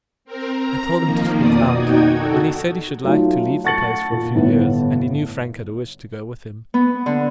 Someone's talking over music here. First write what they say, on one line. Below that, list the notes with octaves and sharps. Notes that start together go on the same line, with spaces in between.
I told him to speak out, when he said he should like to leave the place for a few years, and he knew Frank had a wish to go with him.
C4 A#4
A#5
D#3 F3 A#3
F2 B2 D5 D#6
D#4 F#4 G5 G#6
F#4 A4
F#3 A3 C#4 D#4 F4
F#5 A5 C#6 A6 C#7 F#7
A#2
G1 A2 B3 F#5
B3
D3